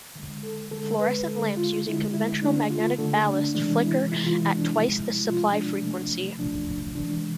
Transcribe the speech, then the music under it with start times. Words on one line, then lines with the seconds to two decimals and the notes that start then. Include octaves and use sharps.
Fluorescent lamps using conventional magnetic ballasts flicker at twice the supply frequency.
0.15 D3 G#3
0.43 A4
0.71 D3 G#3 A4
1.00 B4
1.28 D3 G#3 A4
1.57 F4
1.85 D3 G#3 E4
2.13 E4
2.41 D3 A3 D4
2.70 F4
2.98 D3 A3 A4
3.26 D4
3.55 C3 E3 G#3 D4
3.79 D4
3.84 E4
4.12 C3 E3 G#3 E4
4.26 F4
4.40 E4
4.55 D4
4.68 C3 F3 G#3 E4
5.25 C3 F3 G#3 F4
5.53 D4
5.81 C3 F3 A3
6.38 C3 F3 A3 D4
6.95 C3 E3 G#3 D4